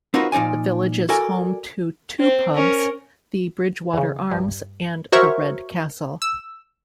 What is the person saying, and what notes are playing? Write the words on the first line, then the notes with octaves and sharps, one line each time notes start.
The village is home to two pubs, The Bridgewater Arms and the Red Castle.
C4 D#4 F4 F#4 A#4 B4
A#2 F3 D#4 D5 G#5
F#4 A4 A#4 D5 G#5
C4
C#4 A#4
E2 C#3
G2
F#4 A#4 C5 C#5 E5 C#6
E6